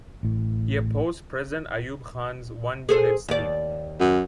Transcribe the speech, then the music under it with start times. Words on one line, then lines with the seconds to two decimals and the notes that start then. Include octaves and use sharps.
He opposed President Ayub Khan's 'One Unit Scheme'.
0.23 A1 A2
2.89 G#4 A4 C5
3.28 D#2 D5
4.00 F#2